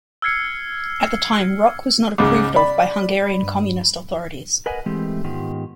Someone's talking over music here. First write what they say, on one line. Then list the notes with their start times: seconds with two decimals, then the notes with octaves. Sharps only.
At the time, rock was not approved of by the Hungarian Communist authorities.
0.22 E6 F6 G#6 C7 C#7
2.18 C#2 G#2 C#3 D6
2.56 D5 B5
3.43 G2
4.66 A#4 B4 D#5 F#5 G#5
4.86 E3 G#3 A3 C4 G4
5.24 G#2 D#3 B3 F4 G4